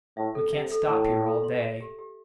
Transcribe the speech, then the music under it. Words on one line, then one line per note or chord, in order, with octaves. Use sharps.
We can't stop here all day.
A2 E5
A4
C3 E5
A4
A2 A4
E5
A4
C6
E5
G4
G4